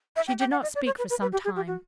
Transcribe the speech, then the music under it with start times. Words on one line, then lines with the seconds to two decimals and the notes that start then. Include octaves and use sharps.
She did not speak for some time.
0.16 E5
0.27 G5
0.40 G5
0.51 F#5
0.62 D#5
0.75 D5
0.86 C#5
0.98 B4
1.10 B4
1.21 B4
1.32 G4
1.45 G#4
1.56 G4
1.67 F#4